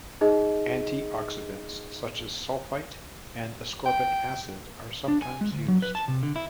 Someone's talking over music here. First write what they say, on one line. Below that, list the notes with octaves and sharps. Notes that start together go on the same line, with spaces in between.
Antioxidants such as sulfite and ascorbic acid are sometimes used.
D#4 G#4 D#5
G5
D4
G#5
G#3
D2
F#3
B4
A5
C3
D3
E4